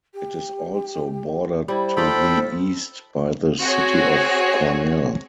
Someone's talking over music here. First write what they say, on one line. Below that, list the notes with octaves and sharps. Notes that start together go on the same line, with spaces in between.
It is also bordered to the east by the city of Cornell.
G4
G3 E4 C5
D#4 F4 A4 D5 G5 B5
C4 F#4 G#4 C#5